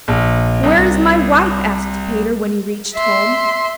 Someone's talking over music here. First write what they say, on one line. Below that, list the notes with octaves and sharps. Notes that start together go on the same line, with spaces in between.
'Where is my wife?' asked Peter, when he reached home.
A#1
C2
E5 C6